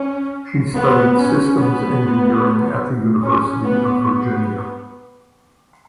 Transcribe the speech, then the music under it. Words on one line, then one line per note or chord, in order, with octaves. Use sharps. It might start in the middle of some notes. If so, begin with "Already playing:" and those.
She studied systems engineering at the University of Virginia.
Already playing: C#4
B3
C#4
B3
C#4
B3
B3